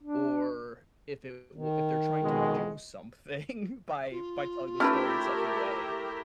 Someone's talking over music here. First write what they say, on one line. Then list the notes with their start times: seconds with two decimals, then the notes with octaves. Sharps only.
or if it wa if they're trying to do something by by telling the story in such a way.
0.03 D4
1.55 D#3
2.23 F2 B2 G#3
4.11 F4
4.80 A3 C#4 D#4 E4 G4 A#4 B4 E5